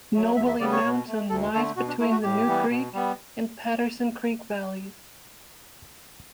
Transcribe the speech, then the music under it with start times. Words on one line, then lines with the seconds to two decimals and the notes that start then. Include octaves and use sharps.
Knobly Mountain lies between the New Creek and Patterson Creek valleys.
0.14 F#3 A3
0.36 E2 E5
0.48 E5
0.59 C#3 G3 B3 D5
0.72 C#5
0.84 B2
1.07 A3
1.29 D2 A4
1.53 D3 A3 A4
1.76 B2 F#4
1.88 D4
2.00 A3 E4
2.11 F#4
2.23 A2 G4
2.46 E3 G3 B3
2.70 B2
2.93 G3 B3